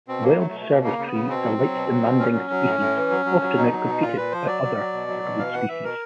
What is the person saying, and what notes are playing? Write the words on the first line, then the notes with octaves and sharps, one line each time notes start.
Wild service tree is a light-demanding species, often out-competed by other hardwood species.
B2 C4
F#3 A#3
F#3 A3
A3
B2
A3
B2 A#3
C#3 A#3
C#3
B3
C#3
B2 C4
F#3
F#3
B2
F#3
B2
A#2 C#4
F#3
F#3
A2
A2
E3
F#3
F#3
F#3
B2 D#4
F#3
B2
A#2 F4
A#2 B4
F3 C5
F#3 D5
F#3
F#3
B2
F#3
B2
E3 F5
E3 F#5
E3 E5
B2 A#4